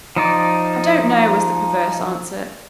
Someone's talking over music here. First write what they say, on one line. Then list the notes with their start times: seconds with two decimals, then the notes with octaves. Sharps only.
"I don't know," was the perverse answer.
0.16 F3 D#4 D5